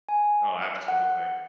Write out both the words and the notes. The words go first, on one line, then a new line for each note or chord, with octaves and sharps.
Oh, absolutely.
G#5
F#5